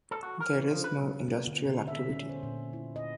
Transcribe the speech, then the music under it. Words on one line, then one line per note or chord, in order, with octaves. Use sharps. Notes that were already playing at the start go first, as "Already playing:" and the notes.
There is no industrial activity.
A4
F#4
A#4
E3
F3
B4
B1
B3
D3
A#2
E5
C#4
C5
A#2
E4
D#5